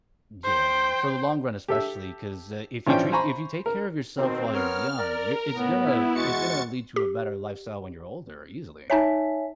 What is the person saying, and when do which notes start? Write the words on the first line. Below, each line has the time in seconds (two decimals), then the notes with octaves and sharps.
Yeah, for the long run, especially, 'cause, uh, if you treat if you take care of yourself while you're young, you're it's gonna it's gonna lead to a better lifestyle when you're older, easily.
0.44 C5 G5
1.68 G4 A4 E5
2.87 A1 F3 C#4 D4 G5
3.12 C5 G#5 A#5 B5 C#6
3.66 A#4
4.17 B2 D#3 C4
4.53 B3 A#4 C#5 F6
4.98 A#4 D5
5.54 A2 B3
5.85 E4
6.15 E2 G#3 F#4 C#6 A6 C#7
6.96 G4
8.90 D#4 C#5 E5 G#5 A5 B6